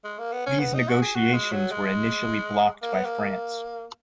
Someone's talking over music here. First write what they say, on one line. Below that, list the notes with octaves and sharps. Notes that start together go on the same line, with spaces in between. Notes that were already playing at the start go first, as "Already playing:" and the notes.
These negotiations were initially blocked by France.
G#3
A#3
B3
C#4
B3
D#4
F#4
G#4
F#4
G#3
F#3
G#3
A#3
B3
A#3